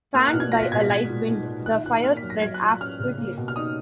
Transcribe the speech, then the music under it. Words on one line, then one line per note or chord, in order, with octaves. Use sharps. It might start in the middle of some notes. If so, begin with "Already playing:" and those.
Fanned by a light wind, the fire spread aft quickly.
A#3 F6
F#6
B2
G#6
F4 A#6
B6
B2 G#6
B6
G#3 G#6
A#2
D#4
A#2
D#3 F#6
F4 F#6
A#3 F6
B6
F#2
A#6
F#3 G#6
F#6
F4
F#6
C#4 F6
C#3
A#3
B2
F6
D#4 D#6